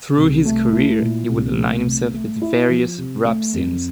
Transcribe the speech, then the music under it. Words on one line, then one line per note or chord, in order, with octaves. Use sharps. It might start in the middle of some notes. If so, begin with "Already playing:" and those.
Through his career he would align himself with various rap scenes.
C2
A3
E4
A#2
C2
A3
C3
A3
E4
F3
C3
A3
F2